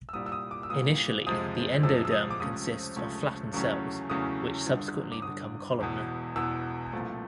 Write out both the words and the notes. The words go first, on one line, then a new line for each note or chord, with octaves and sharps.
Initially, the endoderm consists of flattened cells, which subsequently become columnar.
E6
C2 A#2 G3 D#6
E6
D#6
D6
E6
C2 A#2 G3 D#6
F2 C3 F3 G#3 D#6
F2 C3 F3 G#3 E6
E6
D#6
D6
C#2 C3 F3 A3 C#4 D#6
C#2 C3 F3 A3 C#4
E2 C#3 F#3 A3 C#4
E2 C#3 F#3 A3 C#4 D#6
G1 G2 D3
D6
G1 G2 D3 D#6
E1 E2 B2
E1 E2 B2 E6
C2 A#2 F3 A3 C4